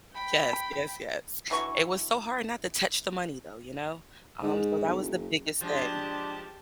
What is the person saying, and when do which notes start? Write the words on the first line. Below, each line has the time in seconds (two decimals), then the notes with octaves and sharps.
yes, yes, yes. It was so hard not to touch the money though, you know? Um, so that was the biggest thing.
0.14 G5 B5
1.50 D3 E3 F#3 C#6
4.43 G#2
4.87 B1
5.02 F#1
5.61 F3 G#3 D4 G4 A5